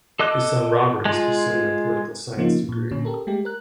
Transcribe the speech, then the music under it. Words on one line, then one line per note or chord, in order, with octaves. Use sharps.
His son, Robert, is pursuing a political science degree.
A4 D#5 D6 F#6
G#3 F4
C#3 F3 A#3 C#4 D#4 F4
A#2
A#2 D3 C#4
G4 A4 A#4
G#3 A3 G4
A#4 F#6